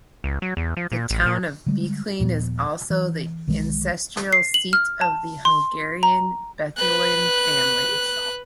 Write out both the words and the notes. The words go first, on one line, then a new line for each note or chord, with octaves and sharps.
The town of Beclean is also the ancestral seat of the Hungarian Bethlen family.
C#2
F#3
E2
F3
A#2
A1
A#2
D3 G3 G#3
D#1 A#2 F3 B3
E3
B1 D#3 E3 G#3
C7
F#7
F6
A5
C6
A#5
B4 F#6